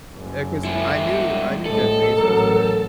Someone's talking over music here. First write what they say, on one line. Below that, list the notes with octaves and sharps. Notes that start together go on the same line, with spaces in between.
Yeah, 'cause I knew I knew Jeff Bezos went.
F#1
G#3 E4
G3
A#1 A2 G#3 A4
A1 F#3 A#4